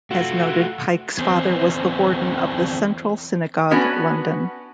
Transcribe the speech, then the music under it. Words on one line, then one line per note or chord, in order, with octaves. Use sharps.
As noted, Pyke's father was the warden of the Central Synagogue, London.
A3 F4 F#4
E2 C4
B3 C#4 D4 F#4 B4 G#5